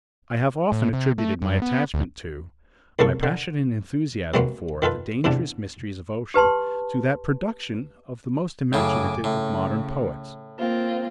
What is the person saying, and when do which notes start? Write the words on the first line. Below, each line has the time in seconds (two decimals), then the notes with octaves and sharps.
I have often attributed my attachment to, my passionate enthusiasm for, the dangerous mysteries of ocean to that production of the most imaginative of modern poets.
0.72 A2
0.93 C3
1.18 A3
1.42 F#2
1.62 B3
1.94 D2
2.99 C2 C#3 A#3 A4 C#6
3.23 D3
4.34 C3 F#3 G#3 A#3 B3
4.82 D#3 F4 A4 B4
5.24 E2 G#2 C3 D4
6.34 G4 B4 A5 C6
8.73 F#2 A2 C#3 G#5 D6
9.24 A2 C#3
10.59 A#3 C4 F4